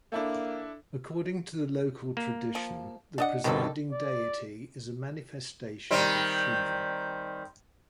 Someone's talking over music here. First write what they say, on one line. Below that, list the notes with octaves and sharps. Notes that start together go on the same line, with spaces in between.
According to the local tradition the presiding deity is a manifestation of Shiva.
A#3 D4 E4 A4
A#3
F3
D4 D#5 F#5
G1 C2 B2 D#3 D4 A4
D5
D#3 G3 C4